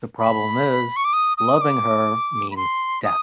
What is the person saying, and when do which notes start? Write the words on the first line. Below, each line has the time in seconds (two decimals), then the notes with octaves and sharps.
The problem is, loving her means death.
0.18 B5
0.96 C#6
1.05 D6
1.13 D#6
1.38 D#6
1.61 D6
2.51 B5
2.57 C6
3.04 D#6